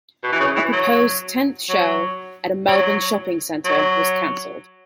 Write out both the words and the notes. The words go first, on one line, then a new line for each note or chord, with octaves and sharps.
A proposed tenth show at a Melbourne shopping centre was cancelled.
B2
E3
C#3
E3
F#3
F#3
F#3
F#3